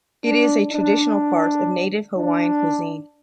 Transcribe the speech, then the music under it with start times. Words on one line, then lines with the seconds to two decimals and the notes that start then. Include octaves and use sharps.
It is a traditional part of Native Hawaiian cuisine.
0.24 D4
0.72 D4
2.17 D4